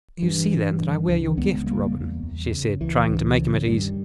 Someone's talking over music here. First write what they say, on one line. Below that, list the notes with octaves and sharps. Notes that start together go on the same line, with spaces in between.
"You see then that I wear your gift, Robin," she said, trying to make him at ease.
G2 E3
G2
G2
C#2 E3
C#2 G#3 B3
C#3 G3 A#3
E2
E2
C#3
C#2 E3
C#2
C#3
G2 D#3 G3